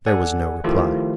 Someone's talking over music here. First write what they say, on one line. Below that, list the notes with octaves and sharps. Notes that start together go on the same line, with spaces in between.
There was no reply.
A4 D5 F#5 G#5
D#3 F3 A3 E4 F4 G4